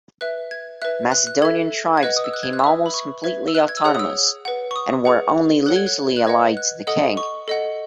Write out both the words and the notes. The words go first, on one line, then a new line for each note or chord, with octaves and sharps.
Macedonian tribes became almost completely autonomous, and were only loosely allied to the king.
B4 E5 F#6
G#6
B4 E5 F#6
F#6
F#6
A4 E5 G#6
G#6
B4 D#5 F#5 F#6
D#6
E6
F#6
G#6
F#6
E6
B4 E5 D#6
B5
C#6
B4 E5 G#6
E6
F#6
G#6
E6
G#4 C#5 F#5 F#6
D#6
E6
B4 F#5
C#6
D#6
G#4 B4 F#5
A4 C#5 F#5 F#6
G#6
F#6
F#6
B4 D#5 F#5 G#6
F#6
A4 D#5 F#5 D#6
C#6
A4 D#5 F#5